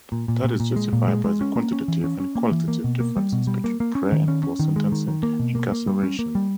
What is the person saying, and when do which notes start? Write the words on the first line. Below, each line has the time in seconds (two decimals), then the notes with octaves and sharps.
That is justified by the quantitative and qualitative differences between pre-and post-sentencing incarceration.
0.12 A#2
0.28 A#2
0.44 A#2
0.60 A#2
0.76 G#3
0.93 A#2
1.08 G#3
1.24 G#3
1.41 C#4
1.56 A#3
1.72 C#4
1.88 E3
2.04 C#4
2.20 C#4
2.35 A#3
2.52 E3
2.68 A#3
2.84 B2
3.00 A#3
3.16 G3
3.32 B2
3.47 G3
3.64 A#3
3.80 A#3
3.95 C#4
4.12 D#3
4.28 C#4
4.43 C#4
4.59 D#3
4.76 G#3
4.92 D#3
5.08 D#3
5.23 A#3
5.40 B2
5.55 A#3
5.72 A#3
5.87 G3
6.03 C#4
6.19 A#3
6.35 G3